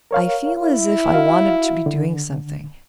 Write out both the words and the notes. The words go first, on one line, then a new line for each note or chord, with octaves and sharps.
I feel as if I wanted to be doing something.
A#4 C#5 F5
E4
F#4 F5
D3